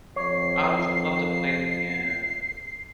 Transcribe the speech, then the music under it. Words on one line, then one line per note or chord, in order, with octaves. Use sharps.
I would love to play the piano.
F2 C#5 C7